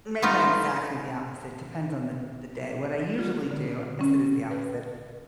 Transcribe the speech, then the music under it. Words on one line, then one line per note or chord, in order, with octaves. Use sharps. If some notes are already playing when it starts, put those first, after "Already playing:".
maybe not exactly the opposite, depends on the the day. What I usually do- I guess it is the opposite-
A3 B3 D#4 F4
F4
D3
C#4
B4